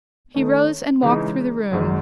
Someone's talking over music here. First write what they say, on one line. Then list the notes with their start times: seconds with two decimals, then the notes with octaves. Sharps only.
He rose and walked through the room.
0.34 D#3 A3 C#4
1.02 C#3 E3 G#3 D#4
1.71 G#1 F#2 D#3 G#3